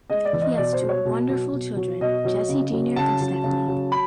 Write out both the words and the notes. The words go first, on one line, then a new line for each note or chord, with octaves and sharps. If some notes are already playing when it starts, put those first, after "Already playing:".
He has two wonderful children, Jesse Junior and Stephanie.
G#3 D#5
D5
E3
D#5
B2 D5
C5
F#3
C#5
B2
F#3
B2
F#3
B2 D#5
F#3
C#3
F#3
C#3 A5
F#3
C#3
F#3
B5